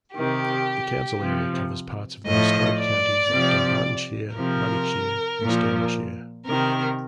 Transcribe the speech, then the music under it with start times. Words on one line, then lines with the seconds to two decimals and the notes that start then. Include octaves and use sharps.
The council area covers parts of the historic counties of Dunbartonshire, Lanarkshire and Stirlingshire.
0.15 C3 D#3 G4
1.20 C3 F3
2.25 A2 F3 D#5
2.77 D5
3.30 C3 F3
4.35 C3 F3 A#4
5.40 A#2 F3
6.45 C3 D#3 A#4